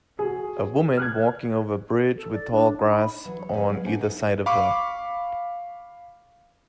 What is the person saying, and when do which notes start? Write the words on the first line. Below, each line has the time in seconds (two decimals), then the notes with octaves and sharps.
A woman walking over a bridge with tall grass on either side of her.
0.19 F#4 G#4
0.97 F6 F#6 G#6
2.17 A4
2.33 D5
2.51 D4
2.78 D#4
2.90 B5
3.25 E3 F#3
3.39 C#5
3.53 F2 C#3 B3 D#4 B4 G#5
3.70 F#3 G#4 F5
3.83 B3 D4 F#4 C5 E5 G#5
3.99 D#4 E4 G4 A4
4.46 F5 B5 C#6 D6